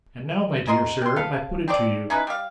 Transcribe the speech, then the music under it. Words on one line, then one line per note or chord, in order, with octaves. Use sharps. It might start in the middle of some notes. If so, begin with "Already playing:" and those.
And now, my dear Sir, I put it to you.
C#4 A#4 D#5 C6
C4 C6
A4 B4 F5
C4 D4 C5 D5
C#4 D#4 E4 B4
G3 F5